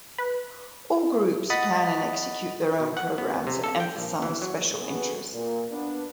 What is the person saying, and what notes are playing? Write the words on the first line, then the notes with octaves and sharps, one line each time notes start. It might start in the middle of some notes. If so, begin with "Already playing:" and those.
All groups plan and execute their own programs and emphasize special interests.
B4
D#5 F#5 B5 D#6 A6 B6
B2
F#5
B3
C3
A4
G5
A#1
E3
F#3
B3 D4 F#4 G#4 A4 B4
A#2
B3 D4 B4